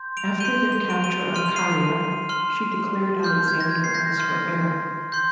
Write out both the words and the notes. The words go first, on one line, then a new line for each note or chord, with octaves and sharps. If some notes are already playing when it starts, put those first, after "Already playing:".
After their capture of Caria, she declared Alexander as her heir.
Already playing: C6 G6
D7 F7
C6 G6 D#7 G7
F7
G7
D7 F7
D#7 G7
C6 F6 D#7
F7
C7 D#7
C6 F6
C6 F6 G6
G#6
A#6
G#6
C7
G6 A#6
C6 F6
C6 G6